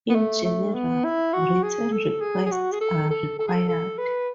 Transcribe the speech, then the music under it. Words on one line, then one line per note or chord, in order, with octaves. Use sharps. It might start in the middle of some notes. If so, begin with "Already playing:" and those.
In general, written requests are required.
B3
A3
A3
B3
E4
F#4
G#4
A4
G#4
G#4
F#4
G#4
A4
A4
A4
G#4
A4
A4
B4